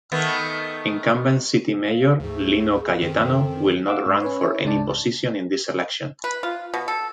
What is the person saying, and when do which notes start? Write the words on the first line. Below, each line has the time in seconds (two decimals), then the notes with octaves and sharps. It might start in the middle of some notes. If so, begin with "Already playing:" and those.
Incumbent city mayor Lino Cayetano will not run for any position in this election.
0.12 D#3 A3 B3
1.86 F5
2.20 D2 G#2 A3 G#4
3.02 F#2 D#3 C4 A4
3.86 F5 F#5 D6 E6
4.06 G#2 C6
4.22 C#4 B4 C#5
4.41 E4 C#5
4.65 C#2 G#2 D4 D5 A5
6.24 B4
6.43 F4
6.74 B2
6.88 A4